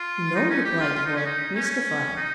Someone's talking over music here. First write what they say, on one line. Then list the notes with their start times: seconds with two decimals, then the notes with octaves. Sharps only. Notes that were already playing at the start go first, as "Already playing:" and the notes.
"No," replied the boy, mystified.
Already playing: F4
0.35 D#4
0.50 C#4
0.64 G4
0.80 F4
0.94 F4
1.05 D#4
1.16 C#4
1.25 D#4
1.55 C#4
2.16 D#4